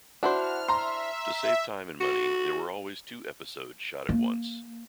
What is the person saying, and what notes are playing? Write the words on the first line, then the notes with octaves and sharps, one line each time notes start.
To save time and money, there were always two episodes shot at once.
D4 E4 F#4 C5 F6
E5 A#5 C6
F#4
A#3